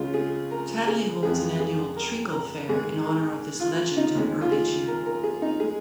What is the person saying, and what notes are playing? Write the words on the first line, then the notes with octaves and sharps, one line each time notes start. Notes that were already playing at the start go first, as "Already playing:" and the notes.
Tadley holds an annual "Treacle Fair" in honour of this legend in early June.
Already playing: C#2 C#3 G#3 F4
G#4
A#4
G#4
F2 F3 G#3 G#4
G#4
A#4
A#4
G#2 D#3 G#3 G#4
A#4
F4
D#4
D#2 D#3 G#3
F4
G#4
A#4
A#4
G#4
D#4
G#3 G#4